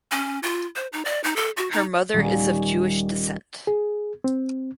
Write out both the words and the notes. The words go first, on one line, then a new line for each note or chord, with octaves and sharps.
Her mother is of Jewish descent.
C#4
F4
C5
D#4
D5
D#4
A4
F#4
D#4
D#1 G3 C#4
G#4
C4